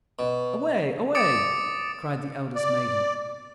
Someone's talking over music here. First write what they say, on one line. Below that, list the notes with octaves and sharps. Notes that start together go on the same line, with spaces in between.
"Away! away!" cried the eldest maiden.
B2
D6 D#6 A6 C#7 D7
D5